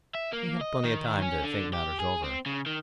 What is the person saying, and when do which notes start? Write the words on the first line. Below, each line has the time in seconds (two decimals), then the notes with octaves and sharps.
He had plenty of time to think matters over.
0.15 E5
0.33 A#3
0.61 D#5
0.84 D#3
1.22 C#4
1.43 D3
1.73 G4
2.00 G#4
2.24 C4
2.46 C#3
2.66 D#3